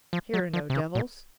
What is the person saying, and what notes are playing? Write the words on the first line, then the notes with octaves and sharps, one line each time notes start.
Here are no devils.
F3
F#3
F3
C3
C#3
A#2